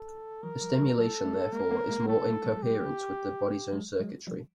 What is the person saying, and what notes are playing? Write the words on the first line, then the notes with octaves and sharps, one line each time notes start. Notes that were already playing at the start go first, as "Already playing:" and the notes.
The stimulation therefore is more in coherence with the body's own circuitry.
Already playing: A4
E3 F#3 A#4
F3 G3
F3 G3
F#3 G#3 A4
G3 A3
G#3 A#3 A#4
A3 B3
G#3 A#3
A#3
G3 A3 A4
G3 A3
F#3 G#3
G4
F#3 G#3
F#3 G#3
F3 G3